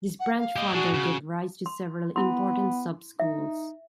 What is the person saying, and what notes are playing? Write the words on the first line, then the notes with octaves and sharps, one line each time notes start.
This branch further gave rise to several important sub-schools.
F#5
F5
G4 D#5
D4 F#4 G#4
C#3
C6
B3 E4 C6
D#4 E5